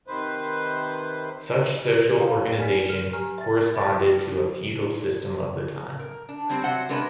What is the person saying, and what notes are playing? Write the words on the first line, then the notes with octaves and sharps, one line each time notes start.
Such social organization corresponded to a feudal system of the time.
C3 D#3 B4 C5
A4 A#4 C#5 F5 G5 A#5
D5 G#5 F6 B6
F6
G4 G#5 A#5 F6
E5 A6
E5 B5 A6
A#4
D4
F#3 G3 C4 D4
C3 F#3 C5 F#5
C3 G#3 C#4 D4 A#4 B4